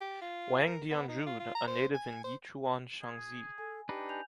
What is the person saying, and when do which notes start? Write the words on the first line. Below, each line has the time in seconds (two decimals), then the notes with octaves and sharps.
Wang Dianjun, a native in Yichuan, Shaanxi.
0.01 G4
0.22 F4
0.67 A#4
0.91 B3
1.09 D#4
1.26 F4
1.40 F4
1.55 A#5
1.68 C5
1.94 G#5
2.24 C5
3.01 G#4
3.58 A4 G#5
3.89 D4 D#4 G4 B4
4.09 G#5 G6 F7